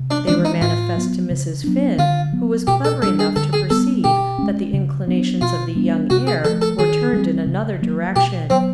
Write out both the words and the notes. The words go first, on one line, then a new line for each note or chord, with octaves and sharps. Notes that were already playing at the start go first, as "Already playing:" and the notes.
They were manifest to Mrs. Finn, who was clever enough to perceive that the inclinations of the young heir were turned in another direction.
Already playing: C3
D4
E3 G#3 C#4 D4
D#4
A2 F4
F#3 B3
C#3
F#3 B3 D4
D3 F4
F#3 B3
B2 G4
A4
G3 B3 D4 A4
G#4
D3 A4
G#4
G3 B3 A4
B2 G4
G#3 C#4
C#3
F#3 B3 D4
B2 F4
G3 B3 D4
C3 F#4
G#4
F3 A4
A3
A4
D#3 G#4
G3 C4
C#3
F#3 A#3
B2 G4
F#3 B3 C4